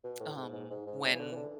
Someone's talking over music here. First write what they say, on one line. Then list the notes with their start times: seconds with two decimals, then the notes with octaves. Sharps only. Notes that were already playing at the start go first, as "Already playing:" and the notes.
um, when
0.04 B2
0.20 A2
0.37 G#2
0.53 G#2
0.70 G#2
0.87 G#2
1.02 C#3
1.14 E3
1.19 D3
1.32 E3
1.36 D3